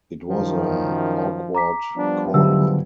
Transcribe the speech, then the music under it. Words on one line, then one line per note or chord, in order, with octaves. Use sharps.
It was an awkward corner.
F#2 D#3 F3
A#5 D6 B6
F3 G3 B3 D4
G#2 D3 F#3 G4 E5 E6